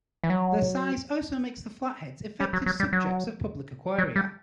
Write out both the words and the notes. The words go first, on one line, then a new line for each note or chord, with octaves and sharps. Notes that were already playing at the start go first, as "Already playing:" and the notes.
Their size also make the flatheads effective subjects of public aquaria.
E3
F#3
G3
F#3
F#3
G3
F#3
F#3
G3